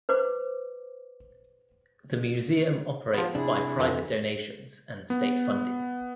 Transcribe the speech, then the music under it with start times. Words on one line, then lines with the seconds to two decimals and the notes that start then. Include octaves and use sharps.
The museum operates by private donations and state funding.
0.09 B4 C5 D6
3.14 F3 B3
3.35 C3 D4 E4 G#4
3.79 F2 E3
5.10 B3